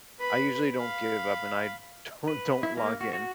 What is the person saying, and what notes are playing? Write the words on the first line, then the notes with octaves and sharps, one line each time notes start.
I usually don't give up, and I don't don't log in.
B4 B5
F5 B5
B4
E4
A#3
F#4
F#4